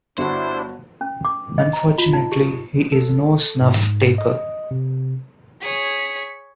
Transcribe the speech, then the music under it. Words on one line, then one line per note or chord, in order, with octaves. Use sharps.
Unfortunately he is no snuff-taker.
G1 D3 G3 D4 E4 F#4 C5
C#4
D6
D#5
A#5
F4
D#4
G4
A4
G#2
D#5
C3
G#4 C#5 B6 C#7